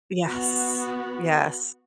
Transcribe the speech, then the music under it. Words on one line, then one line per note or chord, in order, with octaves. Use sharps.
Yes. Yes.
B3 F#4